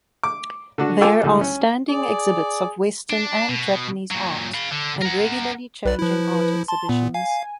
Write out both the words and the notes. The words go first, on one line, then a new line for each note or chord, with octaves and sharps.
There are standing exhibits of Western and Japanese art and regularly changing art exhibitions.
D6
D3 D4 F#4
F4 A4 G5 G#5 D6
D2 D3 E3 G3
C#4
G#4 D5
D4
B2
A#2 F#3
F5 B5
D3
A#4 F#5
B1 B4 D5
F3 E4
A5 C6
A#2 B3
F5 G#5